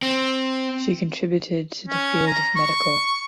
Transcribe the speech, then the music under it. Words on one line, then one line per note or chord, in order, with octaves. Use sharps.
She contributed to the field of medical.
C4
C#4
A#5
C#6